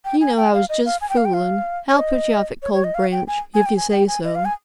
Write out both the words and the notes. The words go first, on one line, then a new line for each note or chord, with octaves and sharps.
"You know I was just fooling. I'll put you off at Cold Branch, if you say so."
G5
G#5
G5
F5
D#5
F5
G#5
G5
F5
G5
F5
C#5
D#5
C#5
C#5
D#5
F5
G5
G#5
G#5
G5
G#5
G5
G#5
D#5
F5
G#5